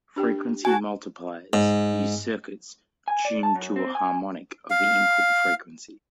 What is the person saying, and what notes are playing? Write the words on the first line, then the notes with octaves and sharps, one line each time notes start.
Frequency multipliers use circuits tuned to a harmonic of the input frequency.
D4 G4 G5
F#4 G#5 A5
G#2
G#5
D5
A5
F#2
C4
G#5
F5